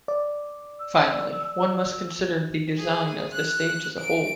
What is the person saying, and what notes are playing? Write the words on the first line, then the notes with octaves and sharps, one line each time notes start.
Finally, one must consider the design of the stage as a whole.
D5
E6
G#4
F#6
D7